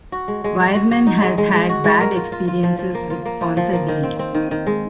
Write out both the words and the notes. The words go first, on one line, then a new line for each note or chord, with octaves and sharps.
Wirman has had bad experiences with sponsor deals.
F#4
G#3
G#3
G#3
F#4
F#4
D#4
G#3
G#3
G#3
F#4
G#3
A#4
F4
F4
F4
F3
F3
A#3
F4
A#3
F3
F3
A#3
D#3
C4
C4
D#3
D#3
G#3